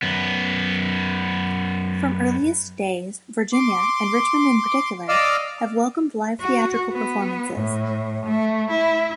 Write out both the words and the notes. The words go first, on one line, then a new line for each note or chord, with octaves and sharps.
From earliest days, Virginia, and Richmond in particular, have welcomed live theatrical performances.
F#2 B3
C6 D6
D5 D#5 F5 D6 E6 F6
F#4
B3
A2
A3
E4